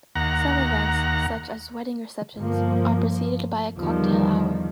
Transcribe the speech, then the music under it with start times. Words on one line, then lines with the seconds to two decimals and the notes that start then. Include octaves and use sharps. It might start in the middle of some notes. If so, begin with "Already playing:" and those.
Some events, such as wedding receptions, are preceded by a cocktail hour.
0.16 D#2 F#5 A#5
2.36 G1 F3 A#3
3.75 E2 D3 D#3 F3 G3